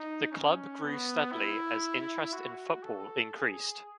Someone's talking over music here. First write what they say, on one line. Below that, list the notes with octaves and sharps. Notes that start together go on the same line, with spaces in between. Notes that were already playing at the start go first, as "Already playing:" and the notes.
The club grew steadily as interest in football increased.
Already playing: D#4
C#4
B3
E4
F#4
A4
G#4